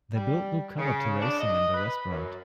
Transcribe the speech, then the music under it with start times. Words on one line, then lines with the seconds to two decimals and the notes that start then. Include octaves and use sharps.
They built new covered terracing and a restaurant.
0.16 G3
0.78 C#3
1.20 D4
1.40 D#5
1.74 B4
2.09 F#2